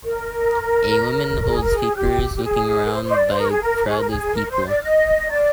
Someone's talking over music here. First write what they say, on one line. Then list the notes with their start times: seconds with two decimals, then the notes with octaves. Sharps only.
A woman holds papers looking around by a crowd of people.
0.04 A#4
1.47 G#4
1.60 A#4
1.72 G#4
1.95 G4
2.36 G4
2.43 G#4
2.86 A#4
2.91 C5
3.03 C5
3.10 D#5
3.15 D5
3.27 C5
3.39 A#4
3.50 G#4
3.61 A#4
3.86 G#4
3.98 A#4
4.09 G#4
4.34 A#4
4.50 C5
4.66 D5
4.82 D#5
5.30 D5